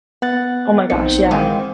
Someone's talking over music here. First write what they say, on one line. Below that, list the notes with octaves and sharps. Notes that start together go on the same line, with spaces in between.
Oh my gosh. Yeah.
B3 F#5 F#6 A6
A#1 G#2 C4 D#4 C#7
G#2 D#3 E3 G#3 F5 G5